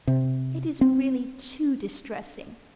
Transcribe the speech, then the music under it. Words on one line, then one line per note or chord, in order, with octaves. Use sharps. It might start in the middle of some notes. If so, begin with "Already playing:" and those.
It is really too distressing.
C3
C4